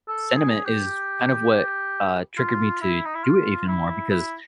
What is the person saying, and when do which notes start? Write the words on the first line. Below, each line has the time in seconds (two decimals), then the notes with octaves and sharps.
sentiment is kind of what, uh, triggered me to do it even more, because,
0.09 A4
0.37 G#4
0.66 G4
2.38 F4
2.82 E4
3.06 D#4
3.15 E4
3.24 F4
3.68 E4
4.10 E4